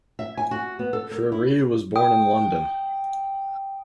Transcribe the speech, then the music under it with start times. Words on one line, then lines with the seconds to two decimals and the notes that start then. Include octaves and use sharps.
Frere was born in London.
0.19 E5
0.37 G#5
0.51 F#4
0.79 B3
0.93 A4
1.11 A#4
1.32 E4
1.96 G5 D#6